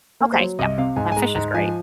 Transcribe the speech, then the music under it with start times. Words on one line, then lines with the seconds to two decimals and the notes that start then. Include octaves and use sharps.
Okay, yep. Yeah, fish is great.
0.21 A#3
0.33 C5
0.39 F#3 C#5
0.59 C2 D#5
0.78 C3 F5
0.96 G#2 G#5
1.12 G#5
1.16 G#3 A#5
1.35 G#2 A#5
1.54 F3 G#5